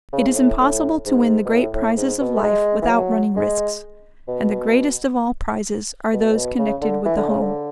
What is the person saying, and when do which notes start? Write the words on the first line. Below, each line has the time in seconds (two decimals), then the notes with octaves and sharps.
It is impossible to win the great prizes of life without running risks, and the greatest of all prizes are those connected with the home.
0.13 C#3
0.27 G#2
0.36 A2
0.59 A2
1.05 G#2
1.45 B2
1.51 A2
1.74 A2
1.97 G#2
2.20 B2
2.37 A3
2.43 G#3
2.82 E3
2.90 F#3
3.36 G#3
4.28 B2
6.13 B2
6.31 A2
6.36 B2
6.59 C#3
6.82 D3
7.05 E3
7.17 D3
7.29 C#3
7.41 D3